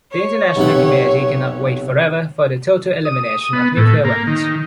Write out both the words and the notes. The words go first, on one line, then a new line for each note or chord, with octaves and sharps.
The international community cannot wait forever for the total elimination of nuclear weapons.
C#5
B1 C3 F#5
D#6
B3
A2
A#3
D#3